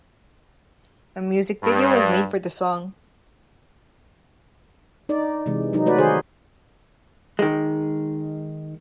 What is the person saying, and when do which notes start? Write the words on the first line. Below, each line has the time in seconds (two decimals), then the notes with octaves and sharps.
A music video was made for the song.
1.62 G2
5.09 D#4 D5
5.46 C3 E3 G#3
5.73 F#3 D#4
5.86 A3 F#4 B4 D5
5.98 D#3 D#4 F#4 G#4 C5
7.39 D#3 G#3